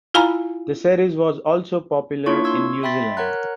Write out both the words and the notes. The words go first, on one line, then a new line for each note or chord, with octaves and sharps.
The series was also popular in New Zealand.
E4 F4 F5 G#5 A#5 B5
A#3 D4 E4 F4 C#5 C#6
C6 C#6 E6 G#6
E5 G5 B5 C6 A6 B6
A#4 C#5 F#5 A#5 F#6